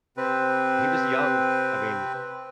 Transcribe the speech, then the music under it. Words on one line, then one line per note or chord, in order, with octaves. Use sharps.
He was young, I mea
C3 C4 B4